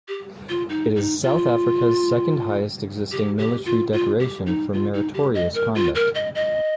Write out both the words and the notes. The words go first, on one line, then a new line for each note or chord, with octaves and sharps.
It is South Africa's second highest existing military decoration for meritorious conduct.
G4
F4
D#4
D#4
F4
G4
G4
F4
F4
G4
D#4
F4
D#4
G4
D#5
A#4
F4
A#4
D#5
D#5